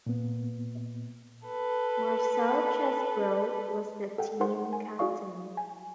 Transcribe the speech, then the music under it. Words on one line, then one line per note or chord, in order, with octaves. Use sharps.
Marcel Chesbro was the team captain.
A#2 B3
A4 B4
A4 F#5 G5
D#4 A#4 C5 F#5 C6
G#5
E4 F#4 G#4 D5 F5 C#6
G#5